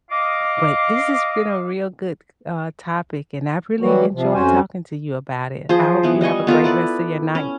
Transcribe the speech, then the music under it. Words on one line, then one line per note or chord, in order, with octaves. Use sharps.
But this has been a real good, uh, topic, and I've really enjoyed talking to you about it. I hope you have a great rest of your night.
D#5 F5 D6
E3 F#3 G3 F#4
C3 F3
F2 C#4 F#4 C5 G#5
F3 G#4 C5
E3 B3
G3 D#5 G#5 C#6
B3 F4 A4 A#4
E4 B4 D5
C#4